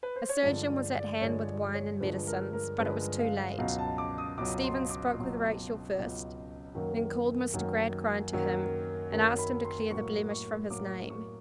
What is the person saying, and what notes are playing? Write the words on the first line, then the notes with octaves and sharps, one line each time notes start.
A surgeon was at hand with wine and medicines, but it was too late. Stephen spoke with Rachel first, then called Mr. Gradgrind to him and asked him to clear the blemish from his name.
B4
C5
C#5
G2 D3 F3 G#3 D5
D5
D5
G2 D3 F3 G#3 C#5
D5
C#5
G2 D3 F3 G#3 B4
A#4
A#4
G2 D3 F3 G#3 B4
F5
C#2 B2 F#3 F5
A5
D6
D#6
C#2 B2 F#3 D6
C6
D6
C#2 B2 F#3
C#2 B2 F#3
F#2 D#3 F#3 A#3
F#2 D#3 F#3 A#3
F#2 D#3 F#3 A#3
F#2 D#3 F#3 A#3
B5
C6
A2 F#3 A#3 C#6
C#6
A2 F#3 A#3 D6
C#6